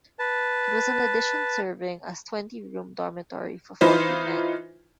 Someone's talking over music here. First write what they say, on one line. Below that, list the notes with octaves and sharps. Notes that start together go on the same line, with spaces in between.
It was an addition serving as a twenty-room dormitory for forty men.
B4 A5
E3 D#4 F4 B4 C5